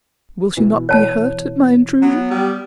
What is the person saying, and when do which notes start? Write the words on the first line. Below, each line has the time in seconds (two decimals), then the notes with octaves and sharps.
"Will she not be hurt at my intrusion?"
0.57 B2 E3
0.89 C#5 A5
2.02 F#3 B3
2.31 G3 F6